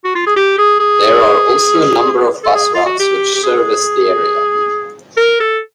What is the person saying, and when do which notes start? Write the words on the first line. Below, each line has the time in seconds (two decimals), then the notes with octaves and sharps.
There are also a number of bus routes which service the area.
0.04 F#4
0.15 F4
0.27 G#4
0.36 G4
0.58 G#4
0.80 G#4
2.44 A4
2.55 G#4
2.74 F4
2.86 F#4
3.00 G4
3.35 G4
3.43 G#4
5.17 A#4
5.40 A4